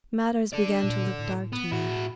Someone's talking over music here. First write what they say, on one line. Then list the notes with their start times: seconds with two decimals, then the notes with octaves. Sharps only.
Matters began to look dark to me.
0.53 A4 D5
0.83 A#2
1.19 A2
1.53 B3
1.72 A2 E4 F#4